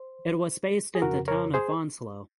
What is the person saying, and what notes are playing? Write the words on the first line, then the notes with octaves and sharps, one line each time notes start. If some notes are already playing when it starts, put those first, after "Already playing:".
It was based in the town of Onslow.
Already playing: C5
G#4
F2 C#3 F#4 A#4
A#4 C#5
G#4 C5